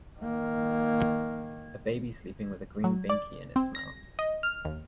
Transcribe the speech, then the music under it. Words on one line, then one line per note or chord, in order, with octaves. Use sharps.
A baby sleeping with a green Binky in its mouth.
D#3 A#3
F#3
D5
C4
A#6
D#5
F6
D#2